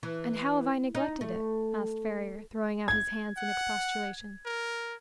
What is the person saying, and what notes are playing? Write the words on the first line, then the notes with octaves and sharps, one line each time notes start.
"And how have I neglected it?" asked Ferrier, throwing out his hands in expostulation.
E3
D#4
A3
G#6
F#5
A#4